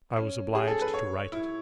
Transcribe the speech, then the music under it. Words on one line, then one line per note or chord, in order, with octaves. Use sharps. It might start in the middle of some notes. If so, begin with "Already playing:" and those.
I was obliged to write it.
C#4
G#4
A4
B4
C#5
E4